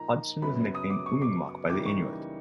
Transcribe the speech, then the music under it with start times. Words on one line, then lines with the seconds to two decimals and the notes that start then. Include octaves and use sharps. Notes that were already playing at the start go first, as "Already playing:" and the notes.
Hodgson was nicknamed "Umingmak" by the Inuit.
Already playing: A#2 F3 A#3 D#4 A#5
0.42 F#2 C#3 F#3 B3 B5
0.75 D#6
0.90 D6
1.06 C#6
1.22 D6
1.70 C#3 E3 G3 A#3 D#4 D6
1.86 C#6